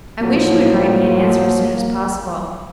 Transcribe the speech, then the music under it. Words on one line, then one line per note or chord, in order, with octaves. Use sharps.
I wish you would write me an answer as soon as possible.
A2 F3 F#3 A#3